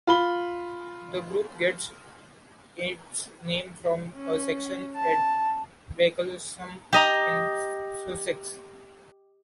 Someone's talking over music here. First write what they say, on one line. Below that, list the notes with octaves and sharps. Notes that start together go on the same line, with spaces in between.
The Group gets its name from a section at Bracklesham in Sussex.
F4 B5 G7
C#4
A5
G4 D#5 A#5